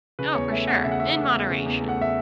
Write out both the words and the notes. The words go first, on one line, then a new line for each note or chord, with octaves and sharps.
Oh, for sure, in moderation.
C#3 B4
E2 C#5
A3 E5
E2 F#5
C#3 E5
F#5
E2 E5
A3
E2
C#3
E2
A3
F#5
E5